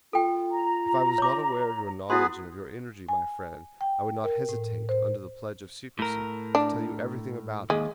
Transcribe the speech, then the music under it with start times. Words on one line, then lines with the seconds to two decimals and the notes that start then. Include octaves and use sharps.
If I was not aware of your knowledge and of your energy, my friend, I would not hesitate, under the pledge of secrecy, to tell you everything about it.
0.13 F4 A4 G5
0.52 A#5
1.18 C#5 D6
2.10 B3 E4 F#4 G#4 B4 C6
3.09 G#5
3.81 G5
4.24 A#4
4.49 A2
4.89 C5
5.99 A2 A#4
6.55 D4
7.70 D#2 G#3